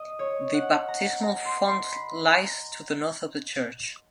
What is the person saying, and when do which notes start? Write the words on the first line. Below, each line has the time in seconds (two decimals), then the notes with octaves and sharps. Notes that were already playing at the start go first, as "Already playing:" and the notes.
The baptismal font lies to the north of the church.
Already playing: D#5
0.19 C#5
0.54 F#5
0.88 A#5
1.23 A#5
1.45 C6
1.68 C6
1.92 B5
2.26 A#5